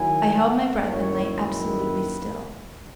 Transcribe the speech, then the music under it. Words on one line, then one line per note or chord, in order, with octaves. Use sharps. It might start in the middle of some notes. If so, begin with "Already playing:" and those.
I held my breath and lay absolutely still.
Already playing: D#3 F#3 A#3 E4 G#5
F#5
F#2 D#3 A#3 E4 C#5
B4